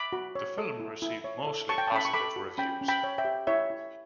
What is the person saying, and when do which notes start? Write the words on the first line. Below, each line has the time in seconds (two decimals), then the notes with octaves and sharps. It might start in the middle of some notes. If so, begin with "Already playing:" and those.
The film received mostly positive reviews.
Already playing: B5 D6
0.13 F#4
0.35 C#5
0.58 A4
0.80 E4
1.02 E4
1.24 C#5
1.47 A4
1.69 C#5 A5 C#6
1.78 G5
1.87 A5
1.92 C#4 B5
2.05 C#6
2.14 A4 B5 D6
2.36 F#4
2.58 C#4 G5 B5
2.81 C#4
2.88 G5 B5
3.04 C#5
3.18 E5 G5
3.25 G4
3.47 E4 C#5 E5
3.70 E4